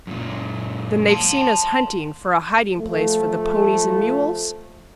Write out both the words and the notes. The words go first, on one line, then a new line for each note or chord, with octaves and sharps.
"Then they've seen us hunting for a hiding-place for the ponies and mules?"
F#2 A#2
A5 C6
F3 A3